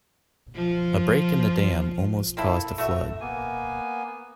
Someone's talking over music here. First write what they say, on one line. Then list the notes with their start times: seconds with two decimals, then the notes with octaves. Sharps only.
A break in the dam almost caused a flood.
0.54 F3 F4
2.37 A#3 C4 E4 A4
2.78 A3 F#4 E5
3.21 A#3 B3 G#5